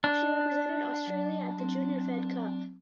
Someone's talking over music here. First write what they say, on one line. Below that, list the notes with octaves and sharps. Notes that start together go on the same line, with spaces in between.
She represented Australia at the Junior Fed Cup.
D4
F#3
F#3 C4